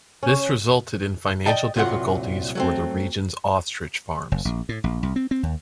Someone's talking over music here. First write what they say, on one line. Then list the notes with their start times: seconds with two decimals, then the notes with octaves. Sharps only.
This resulted in financial difficulties for the region's ostrich farms.
0.23 C#4
1.46 D5 D#5 G5 A5
1.76 C2 A#2 F#3 F4 F#5
2.55 F#3 A3 C4
4.32 F#1
4.45 A#1
4.69 A2
4.84 A#1
5.03 C2
5.16 C4
5.31 C4
5.43 D#2